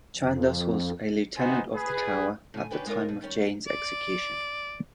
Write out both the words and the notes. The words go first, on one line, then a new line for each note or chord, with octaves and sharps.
Chandos was a Lieutenant of the Tower at the time of Jane's execution.
F2
B3 D#4 F#4 C5 G#5
G#4 B4
A2 G#5
C#4 D4 G4 B4 G5
G#3 D#4 F4 A#4 C#5
B2 D#4
D#3 G3 C#4
D5